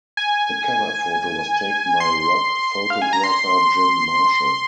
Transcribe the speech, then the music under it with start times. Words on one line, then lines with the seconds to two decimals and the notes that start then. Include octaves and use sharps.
The cover photo was taken by rock photographer Jim Marshall.
0.17 G#5
2.00 C6
2.90 F5
3.02 G#5
3.13 A#5
3.24 C6